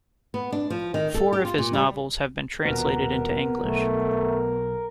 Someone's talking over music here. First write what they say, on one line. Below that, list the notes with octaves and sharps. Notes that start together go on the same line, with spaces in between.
Four of his novels have been translated into English.
B3
D4
F3
D#3
A4
G4
F4
A#2
G3
D#1 B2 B3 A#4
B1 A3